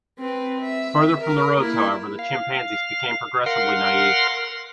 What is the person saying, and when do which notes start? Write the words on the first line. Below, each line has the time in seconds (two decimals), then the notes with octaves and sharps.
Further from the roads, however, the chimpanzees become progressively "naive".
0.19 C4 B4
0.61 E5
1.20 A#4
1.57 A#3 E4
2.19 F5
3.46 A#4 F5 F#5 C6